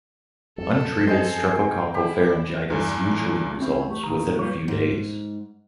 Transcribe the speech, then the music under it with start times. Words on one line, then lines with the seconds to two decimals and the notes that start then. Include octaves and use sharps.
Untreated streptococcal pharyngitis usually resolves within a few days.
0.58 F2 F#3 A4
1.07 G#4 C5 D#5 G5
1.56 G5
1.95 E4 G4
2.70 E2 G2
3.60 C4 C#4 E4 C5
3.90 A3 G4
4.04 A#2 D#3 A#5
4.39 G3 A#3 F4 B4 C#5
4.68 G#2